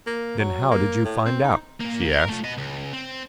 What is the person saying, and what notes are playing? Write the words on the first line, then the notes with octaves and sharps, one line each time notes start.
"Then how did you find out?" she asked.
A#3
F#3
A#3
A2
C4
D#4
A#2 A#3
A#4
A3 F4
B3 D#5
C#2
C4